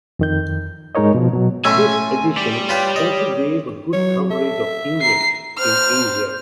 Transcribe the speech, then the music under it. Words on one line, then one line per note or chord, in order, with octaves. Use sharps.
This edition also gave a good coverage of English in Asia.
F2 D#3 G6
G#2 G#3 D#4 A#4 C#5 D#5
B2 F3
B2 F#3
A2 A3 C#4 E5 G#5 C6
G4 D5
F4 B4 C#5 G5
D#5
F#3 C#5
A4 E5
A#5 C7
C5 F6